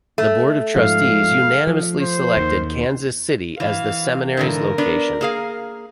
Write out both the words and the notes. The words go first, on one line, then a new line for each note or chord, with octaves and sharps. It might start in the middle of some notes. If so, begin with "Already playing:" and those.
The Board of Trustees unanimously selected Kansas City as the Seminary's location.
A3
G#2 F3 F5
F3
C5
D#2 D#3
E3 F5
G#2 D3 E3 A#4
B3 D4
A#3 G#4 F5